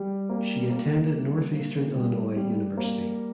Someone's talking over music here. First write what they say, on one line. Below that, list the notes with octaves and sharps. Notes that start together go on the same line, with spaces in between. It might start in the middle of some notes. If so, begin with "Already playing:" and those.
She attended Northeastern Illinois University.
Already playing: G3
A#3
A#3
G3
A#3
G3
G3
A#3